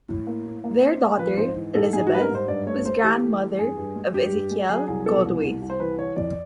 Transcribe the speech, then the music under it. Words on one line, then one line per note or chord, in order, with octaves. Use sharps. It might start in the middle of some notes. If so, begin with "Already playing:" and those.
Their daughter, Elizabeth, was grandmother of Ezekiel Goldthwait.
A2
A#3
A2
A#3
A#3 C5
A#3
F3 B4
G#2 C5
E3
G#2 A4
G#2 G#4
F#4
G3 B4
A#4
G#2
C5
G2 D5
A3 C#5
A3 C5
E3 G4
A3
E3
G2 G#4
G2
G#3
G2 G4
G2
G#3
F#3 G#4
C2 G#4
B2 A4
C2
C2
C2
C5
E3 B4
E3 C#5
F2 D5